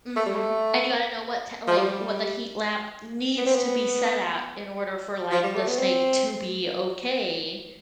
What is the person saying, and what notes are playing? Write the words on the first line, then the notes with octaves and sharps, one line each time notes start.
Mhm. And you gotta know what, t like, what the heat lamp needs to be set at in order for, like, the snake to be okay.
A3
G3
A3
F3
G3
B3
C4
B3
F3
G3
A3
B3
C4